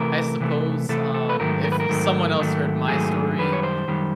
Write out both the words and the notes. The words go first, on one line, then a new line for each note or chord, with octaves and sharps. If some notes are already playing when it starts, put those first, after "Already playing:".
I suppose, um, if someone else heard my story,
Already playing: C3 E3 A3 A#4
C3 E3 A3
C3 E3 A3 A4
A4
B4
G#2 D#3 F#3 A3 A#4
A#4
B4
A#4
G#2 D#3 F#3 A3
G#2 D#3 F#3 A3
G#2 D#3 F#3 A3 G#4
F#2 D#3 G3 B4
C#5
C5
F#2 D#3 G3